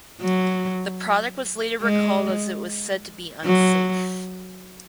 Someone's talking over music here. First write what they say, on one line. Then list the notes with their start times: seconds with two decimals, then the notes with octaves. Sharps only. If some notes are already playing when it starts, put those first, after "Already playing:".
The product was later recalled as it was said to be unsafe.
0.21 F#3
1.82 G#3
3.45 F#3